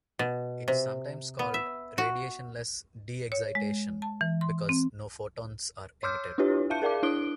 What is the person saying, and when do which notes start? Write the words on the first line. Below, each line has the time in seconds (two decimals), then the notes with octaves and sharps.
It is sometimes called "radiationless de-excitation", because no photons are emitted.
0.19 B2
0.68 C3
1.39 B3
1.54 E5
1.98 F#4
3.32 C#5
3.55 G#3
4.02 A5
4.21 E3
4.41 C6
4.69 C4
6.03 C#5 C6 D6 E6 F6 G6
6.38 D4 E4 F4 G4 B4 C#5
6.70 E5 F5 A5 G6 C#7
6.82 G#4 A#4 D5 F5 A5 D6
7.03 D4 E4 D#6 F#6 D7 G7